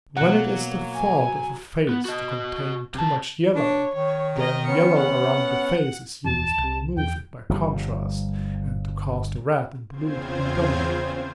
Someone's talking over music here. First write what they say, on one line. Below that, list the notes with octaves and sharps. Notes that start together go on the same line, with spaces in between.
When it is the fault of a face to contain too much yellow, then yellow around the face is used to remove it by contrast, and to cause the red and blue to predominate.
B2 F#3 A#3 F#5
G#5
B3
F#4 D#5
C3 A5
D4 C#5
D#3 C#5
A#4 D#5
B3 C#4 C#7
F#5
D#1 F2 E3 A5
C2
E2 G5
G1 F3 G3
E2 C#3 C4 F4 C5 G#6